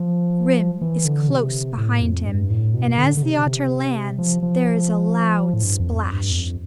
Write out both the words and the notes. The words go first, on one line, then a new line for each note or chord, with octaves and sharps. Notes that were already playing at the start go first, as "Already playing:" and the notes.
Grim is close behind him, and as the otter lands, there is a loud splash.
Already playing: F3
E3
D3
C3
A2
F2
G2
A2
B2
D3
D3
C3
C3
F3
F3
A2
G2
F2
E2
F2
G2
E2
F2